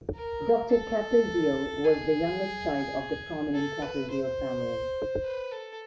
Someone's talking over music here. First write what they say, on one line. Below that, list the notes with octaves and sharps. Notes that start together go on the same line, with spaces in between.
Doctor Capildeo was the youngest child of the prominent Capildeo family.
A#4
A4
G#4
A4
B4
C5
B4
A4